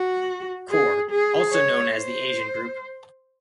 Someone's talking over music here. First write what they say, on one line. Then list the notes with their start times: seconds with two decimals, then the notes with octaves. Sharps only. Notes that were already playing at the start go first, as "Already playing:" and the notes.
Corps, also known as the Asian Group.
Already playing: F#4
0.70 G#4
1.11 G#4
1.52 C#5
1.94 C5